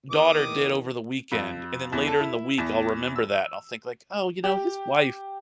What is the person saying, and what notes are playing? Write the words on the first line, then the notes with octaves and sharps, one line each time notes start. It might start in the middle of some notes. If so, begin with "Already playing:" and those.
daughter did over the weekend, and then later in the week I'll remember that and I'll think like, "Oh, you know, his wife"
E2 D#3 D6 D#6
F2
E2
A4
E4
E2
E6
G4